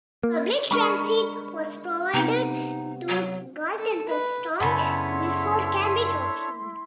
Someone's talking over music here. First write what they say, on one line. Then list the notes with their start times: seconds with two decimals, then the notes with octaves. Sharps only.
Public transit was provided to Galt and Preston before Cambridge was formed.
0.23 A#3
0.71 G#3 D4 A#4 B5 C#6 F6
2.14 C3 B3 D#4
3.09 F#3
3.79 A4
4.09 B4
4.60 F#2 C#3 B3 D4 E4 A4 C#5 C6